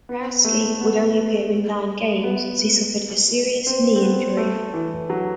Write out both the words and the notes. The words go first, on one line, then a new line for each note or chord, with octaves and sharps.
Berehowsky would only appear in nine games as he suffered a serious knee injury.
B3
A3
B3
B3
C4
C4
B3
A3
E3
F#3